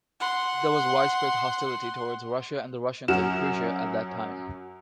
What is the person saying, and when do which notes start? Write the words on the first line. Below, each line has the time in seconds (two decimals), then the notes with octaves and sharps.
There was widespread hostility towards Russia and the Russians in Prussia at that time.
0.21 F#5 C6
3.08 F#2 F#3 F#5 F6 E7